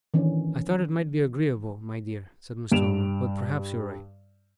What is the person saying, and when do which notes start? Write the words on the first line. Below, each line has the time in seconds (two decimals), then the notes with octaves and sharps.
'I thought it might be agreeable, my dear,' said Mr. Omer. 'But perhaps you're right.'
0.14 D#3 E3 C#4 D4
2.72 G2 D7 E7 F7